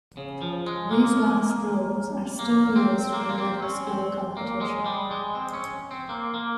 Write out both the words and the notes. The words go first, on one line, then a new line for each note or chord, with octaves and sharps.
These last rules are still used for the Middle School competition.
C#3
F3
G#3
A#3
A#3
C4
A#3
C4
A#3
C4
C#4
C4
A#3
G#3
G3
G#3
C4
C#4
C4
A#3
A#3